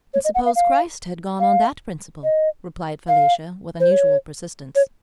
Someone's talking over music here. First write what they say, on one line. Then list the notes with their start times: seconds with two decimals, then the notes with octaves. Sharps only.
"Suppose Christ had gone on that principle," replied Felicia, with unusual persistence.
0.14 C#5
0.25 D#5
0.35 F#5
0.45 F5
0.56 F5
1.40 F5
2.24 D#5
3.08 F5
3.80 C5
3.91 C#5
4.76 C#5